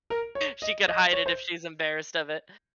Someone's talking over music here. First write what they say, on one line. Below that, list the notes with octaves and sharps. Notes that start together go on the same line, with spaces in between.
she could hide it if she's embarrassed of it.
A#4
C#5
D#5
D#5
C#5
C5